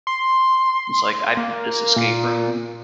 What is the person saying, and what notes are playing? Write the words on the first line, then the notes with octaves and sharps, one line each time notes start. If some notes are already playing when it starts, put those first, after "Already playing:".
That's like, "I beat this escape room."
C6
A#3
A#2